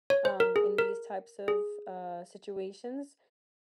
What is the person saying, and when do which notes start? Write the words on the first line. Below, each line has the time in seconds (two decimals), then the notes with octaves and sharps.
um, in these types of, uh, situations,
0.10 C#5
0.25 C5
0.40 A#4
0.56 G#4
0.78 A#4
1.48 G#4